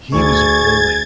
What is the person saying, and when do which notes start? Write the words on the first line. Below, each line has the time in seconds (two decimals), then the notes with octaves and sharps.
he was a bully.
0.12 D2 G#4 C#6 G#6 A6